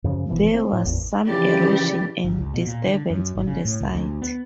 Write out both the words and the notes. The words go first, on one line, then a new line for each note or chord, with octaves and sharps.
There was some erosion and disturbance on the site.
F#2 C#3 F3
G#1 B2 E3 F3
A3 C4
A2
G#1 E2
C#3 E3 F3 G4 D5
G1
C#2
B2
A#2
D3
F#2
G#1
C#3
A2
C#2
D2
B3